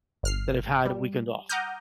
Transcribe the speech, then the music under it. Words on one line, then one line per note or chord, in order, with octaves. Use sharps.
that I've had a weekend off.
G1 F6 C7
G3
F#5 A#5 D6 D#6 F6 G6